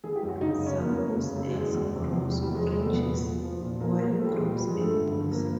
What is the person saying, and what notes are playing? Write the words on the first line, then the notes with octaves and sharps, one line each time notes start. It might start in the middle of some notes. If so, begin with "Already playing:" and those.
Suppose X grows oranges, Y grows apples.
E3 G#4
G4
F#2
F#4
C#3 D#4
F#2
C#4
E3 A#3
B3
F#2 A#3
C#3
F#2
E3 G#3
E2
C3
E2
E3 G3
G3
E2
G#3
C3 G#3
A3
E2
B3
A#2
F3
F3
A#2
A#2 A#3
F3 A#3
F3 A3
G3
G#3
A#2
G3
F3 G3
G#3
G2
A3
D3
G2
F3 A#3